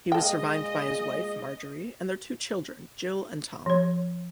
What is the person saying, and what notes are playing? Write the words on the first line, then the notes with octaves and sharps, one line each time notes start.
He was survived by his wife, Marjorie, and their two children, Jill and Tom.
A#2 G#3 A4 D#5 G5
F3 C#5